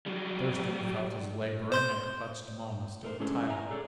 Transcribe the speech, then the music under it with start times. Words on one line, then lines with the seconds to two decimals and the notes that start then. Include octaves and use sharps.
Thurston felt his laboring and clutched Mona still tighter.
0.06 F#3 G3
1.72 C5 C6 G6
3.03 A3 A#4 C5
3.20 G#3 C#4 D4 E4 G#4 A4
3.48 E5 G#5 A#5
3.70 G#4 A4 C#5 D5